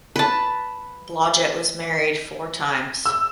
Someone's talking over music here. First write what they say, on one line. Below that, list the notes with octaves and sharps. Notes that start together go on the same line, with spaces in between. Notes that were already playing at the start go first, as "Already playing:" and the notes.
Blodgett was married four times.
B4 A5
E6